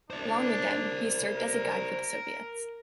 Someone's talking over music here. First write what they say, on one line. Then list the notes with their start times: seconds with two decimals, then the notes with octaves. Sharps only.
Along with them, he served as a guide for the Soviets.
0.10 D4 C5 D5
1.36 A#4